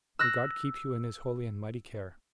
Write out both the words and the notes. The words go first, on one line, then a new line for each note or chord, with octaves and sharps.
May God keep you in His holy and mighty care.
E6 F#6 A#6